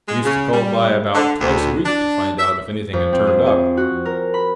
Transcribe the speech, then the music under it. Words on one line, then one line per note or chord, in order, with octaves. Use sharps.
Used to call by about twice a week to find out if anything had turned up.
G#3
C#3
G3
D3
D2
D4
E5
F2
C4
G#4
G#4
F#4
A#4
B5